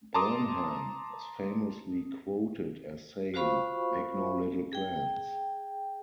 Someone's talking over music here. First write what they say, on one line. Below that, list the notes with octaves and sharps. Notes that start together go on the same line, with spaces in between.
Burnham is famously quoted as saying, Make no little plans.
A5 A#5 C6 D6 D#6
F4 F#4 C5 F5 B5 C#6
G#4 G5